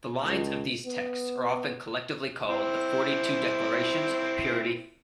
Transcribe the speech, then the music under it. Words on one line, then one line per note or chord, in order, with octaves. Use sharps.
The lines of these texts are often collectively called the "Forty-Two Declarations of Purity".
C#2
B3
C4 E4 C5